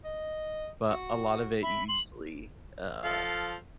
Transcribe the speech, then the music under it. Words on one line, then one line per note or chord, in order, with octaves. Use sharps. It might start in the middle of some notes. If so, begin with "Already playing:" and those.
but a lot of it u usually, uh
D#5
F#4
E5 B5
C6 F#7
F3 A4 F5